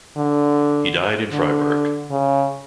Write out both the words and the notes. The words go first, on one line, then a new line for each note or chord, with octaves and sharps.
He died in Freiburg.
D3
D3
C#3